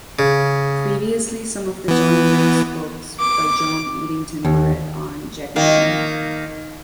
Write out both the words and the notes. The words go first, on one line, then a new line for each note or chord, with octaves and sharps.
Previously some of the Jonny Briggs books by Joan Eadington were read on Jackanory.
C#3
E3 B3
D6
D#2
D#3 A#3